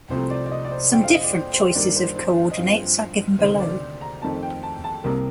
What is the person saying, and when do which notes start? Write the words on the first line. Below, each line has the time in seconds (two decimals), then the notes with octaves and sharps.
Some different choices of coordinates are given below.
0.11 C2 C3 F3 A3 C4 C5
0.30 D5
0.46 D5
0.51 D#5
0.65 D5
0.72 C5
0.93 F2 D3 F3 C4 G5
1.04 F5
1.14 D#5
1.24 D5
1.33 C5
1.54 C5
1.75 G2 D#3 G3 A#3 D5
1.96 C5
2.16 C5
2.37 C5
2.51 D#5
2.57 G2 F3 C4 F5
3.39 D2 C3 D#3 A3 C5
3.60 D5
4.01 A#5
4.22 F2 D#3 A3 C4 A5
4.43 G5
4.63 A5
4.84 A5
5.04 C2 C3 G3 A#3 A#4